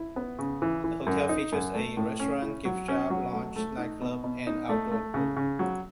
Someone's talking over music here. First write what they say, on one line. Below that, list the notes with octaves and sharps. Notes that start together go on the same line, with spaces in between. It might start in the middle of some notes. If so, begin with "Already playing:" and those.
The hotel features a restaurant, gift-shop, lounge, nightclub, and outdoor pool.
Already playing: E4
B3
C#3
E3
E3
F#2
D#4
F#2
A3
A2
C#4
E4
F#3
C#4
F#3
A3
A3
D#4
B2
B2
D#4
A3
A3
C#3
C#3
F#3